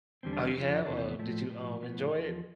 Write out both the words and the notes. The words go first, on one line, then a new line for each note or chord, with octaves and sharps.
oh, you have? Uh, did you, um, enjoy it?
E2 D3 G3 C4
D4
C4
F2 D3 F3
E2 C3 E3 D4
C4
B3
A2 F3 A3
A2 F3
A2 F3 B3
E2 D3 F3